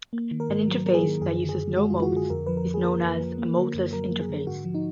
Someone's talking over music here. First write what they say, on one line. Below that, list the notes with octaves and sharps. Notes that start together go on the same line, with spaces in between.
An interface that uses no modes is known as a modeless interface.
A#3
D#3
A#4
G#2
F#3
A#3 A#4
G#4
D#3
F#2 G#4
D3
G#4
F#2
G#3 F#4
F#2 F4
F#4
D3 G#4
F2 A#4
F3 B4
A#4
F2
G#4
A#3 A#4
F2
F3
A#3
D3
F#2
F#3 A#4
A#3
G#4
D3
G#2 F#4
F3
D#4